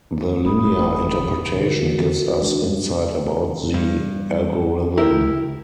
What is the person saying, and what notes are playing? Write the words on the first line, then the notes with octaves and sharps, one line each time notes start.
The linear interpretation gives us insight about the algorithm.
F#1 A3 B5 D#6
E2 B2
D3 F#4 A#4
G#3 D4 F#4
G2
E4 G4 A#4